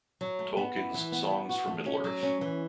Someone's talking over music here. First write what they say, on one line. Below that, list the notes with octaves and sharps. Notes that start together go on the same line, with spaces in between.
Tolkien's Songs from Middle-earth.
F#3
A3
B3
E4
E3
B3
B3
F#4
A3
C#4
F#3
C#4
E3